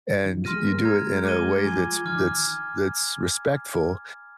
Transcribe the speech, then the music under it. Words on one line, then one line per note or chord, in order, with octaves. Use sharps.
and you do it in a way that's that's that's respectful,
D#3
F3
G3 C6 F6 A#6 D#7
G#3
A#3
G#3
G#3 A#5 F6 G#6
D6 G#6 D#7 G7
F3 G#5 D6 G#6
D#3 D6 F6 G#6
D#3